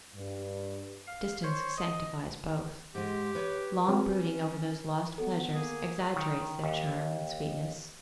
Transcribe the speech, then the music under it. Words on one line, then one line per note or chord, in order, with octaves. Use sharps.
Distance sanctifies both. Long brooding over those lost pleasures exaggerates their charm and sweetness.
G2
F5
C5 C#5
D#5
G#2 G#3 G4
B4 C#5 G5
F#3 C4 C#4
F#3 B3 A4
A#3 G#4
D#3
D#2